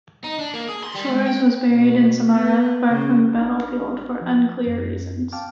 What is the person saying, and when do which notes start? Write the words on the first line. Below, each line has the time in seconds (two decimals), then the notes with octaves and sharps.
Shchors was buried in Samara, far from the battlefield, for unclear reasons.
0.24 D#4
0.39 D4
0.54 A#3
0.69 G#4
0.84 C6
0.95 G3
1.09 G#3
1.27 G5
1.68 B2
2.30 B3
2.89 C#3
3.35 A1 D4 D#4 D6 F6
4.21 F3
4.67 F#2
5.32 F5 G5 A5 D6 F6